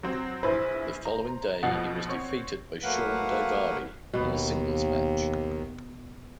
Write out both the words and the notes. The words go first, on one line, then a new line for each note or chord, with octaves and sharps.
The following day he was defeated by Shawn Daivari in a singles match.
F#3 C4
A#1 E4 B4 C5
A#5
F2 B2 F3 F#5
C4 C#5
F#3 A3 A#3 B4 F5 F#5
D#2 B2 B3